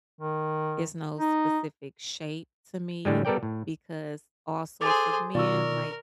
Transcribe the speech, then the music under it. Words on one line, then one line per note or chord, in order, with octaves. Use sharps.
it's no specific shape to me because all sorts of men like
D#3
D#4
A2 D3 G3 G#3
G3 B3 A4 A#4 D5 G5
A2
G#4 A4 C5 D6 A6
B2 D#3 F4 A#4 D5 C#6 E6